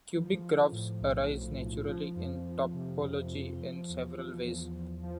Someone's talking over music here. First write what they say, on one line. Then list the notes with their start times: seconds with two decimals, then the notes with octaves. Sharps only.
Cubic graphs arise naturally in topology in several ways.
0.14 F3
0.43 F3
0.72 A2
1.00 B1
1.29 B1
1.58 B1
1.87 F3
2.15 F2
2.44 F3
2.73 C3
3.02 C3
3.31 F2
3.60 F3
3.89 E2
4.17 F3
4.46 E2
4.74 E2
5.03 F3